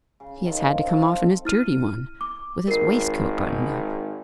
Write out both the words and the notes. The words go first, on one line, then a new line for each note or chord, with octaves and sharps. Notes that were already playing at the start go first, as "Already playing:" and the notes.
He has had to come off in his dirty one, with his waistcoat buttoned up.
C#3
C3 D#3 F3
C4 F4 A4 F5
F5
E4 F6 D#7
D6
G#1 A#4 C7